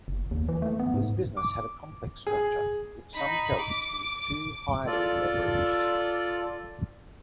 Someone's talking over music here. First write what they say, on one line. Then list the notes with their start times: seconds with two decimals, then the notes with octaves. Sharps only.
His business had a complex structure which some felt to be too highly leveraged.
0.08 F#1
0.31 D#2
0.49 E3
0.62 A3
0.79 B3
0.94 G#2
1.37 D6
2.27 G#4
3.14 D#4 B5
3.59 D6
4.87 F4 A4 D5